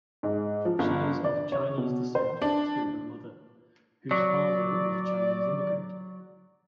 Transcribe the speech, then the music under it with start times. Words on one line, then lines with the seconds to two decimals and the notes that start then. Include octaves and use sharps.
She is of Chinese descent through her mother, whose father was a Chinese immigrant.
0.23 G#2
0.65 F3
0.79 G1
1.24 D5
1.52 C#5
1.78 B2
2.15 C5
2.42 D4
4.11 F#3 D5